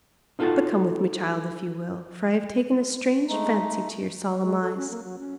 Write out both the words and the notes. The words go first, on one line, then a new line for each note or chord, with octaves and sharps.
But come with me, child, if you will, for I have taken a strange fancy to your solemn eyes.
D#4 F4 F#4 A4 F#5 A5
G#3 A3 D#4
G#3
A4
C#4
A#3
F#3
C#4